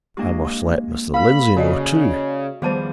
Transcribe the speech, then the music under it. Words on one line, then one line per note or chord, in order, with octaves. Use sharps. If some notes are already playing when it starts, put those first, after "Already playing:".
I must let Mr. Lindsey know, too.
G#3 A#3 D4 E4 G4 D#5
A4 B4 F5 B5
C#3 F#4 D5 D#5
E2 D#3 F3 G3 G#4 C5 D5 A5